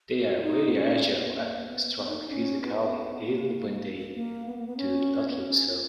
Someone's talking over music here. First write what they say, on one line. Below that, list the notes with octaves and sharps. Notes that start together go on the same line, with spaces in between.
They are very agile and strong physically, even when they do not look so.
F#4
F4
D#4
B3
C#4
B3
A#3
B3
B3
D#4
D#4
C#4
B3
A#3
A#3
B3
A#3
B3
C#4
B3
C#4
F4